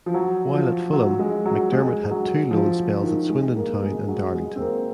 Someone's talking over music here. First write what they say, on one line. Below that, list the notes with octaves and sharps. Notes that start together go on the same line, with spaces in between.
While at Fulham, McDermott had two loan spells at Swindon Town and Darlington.
F3
F#3
F3
F#3
G#3
F#3
G#3
F#3
F3
D#3
G#3
A#3
G#3
F#3
G#3
C4
A#3